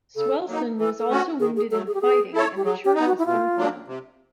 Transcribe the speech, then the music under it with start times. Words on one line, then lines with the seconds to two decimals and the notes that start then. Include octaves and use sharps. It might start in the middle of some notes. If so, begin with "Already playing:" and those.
Swelsen was also wounded in the fighting and the church was burnt down.
0.16 C#3 A4
0.47 F#3 A#3 D#4
0.79 E3 A4
0.99 A4
1.09 A3 C#4 F#4
1.40 D#3 G#4
1.56 G#4
1.71 F#3 A3 A4
1.87 G#4
1.94 G4
2.01 B3 G#4
2.33 E4 A4 C#5
2.56 G4
2.64 F#3 G#4
2.84 G4
2.95 B3 D#4
3.06 F#4
3.18 E4
3.26 B2 F4
3.57 F#3 A#3 D4
3.88 C3